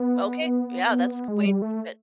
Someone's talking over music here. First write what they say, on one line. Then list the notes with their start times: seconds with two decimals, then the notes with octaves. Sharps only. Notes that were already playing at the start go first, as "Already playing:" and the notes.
Okay, yeah. That's a good way to keep it.
Already playing: B3
1.28 G#3
1.46 G3
1.62 A3